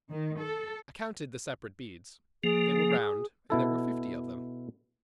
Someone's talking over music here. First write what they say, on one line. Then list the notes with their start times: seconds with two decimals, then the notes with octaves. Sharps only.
I counted the separate beads—they were round and there were fifty of them.
0.10 D#3
0.39 A4
2.44 F3 A#3 G#4
3.50 B2 E4 A4